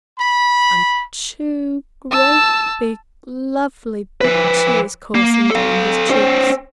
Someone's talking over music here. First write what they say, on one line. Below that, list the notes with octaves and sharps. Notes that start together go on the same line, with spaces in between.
And two great big lovely big tears coursing down his cheeks.
B5
A5 E6
F3 B4
A#3
A4 F5
C#4 C5